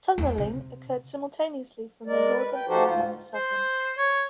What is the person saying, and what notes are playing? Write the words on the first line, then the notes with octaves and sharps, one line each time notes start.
Tunnelling occurred simultaneously from the northern end and the southern.
E2
C3
G#3 A#4 D5
B4
G5
F3 D#4 F#4 G4 A4 C5
D2 G#2 F4
C5
C#5